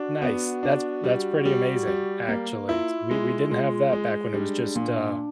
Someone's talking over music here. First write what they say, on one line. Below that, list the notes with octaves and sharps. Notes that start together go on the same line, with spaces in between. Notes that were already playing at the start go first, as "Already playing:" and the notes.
Nice. That's that's pretty amazing, actually. We we didn't have that back when it was just, uh
Already playing: D4 F#4
B3
D4
G3
G3
G3
A#3
E4 F4
G#3
G#3
G#3
G3 D4
A#2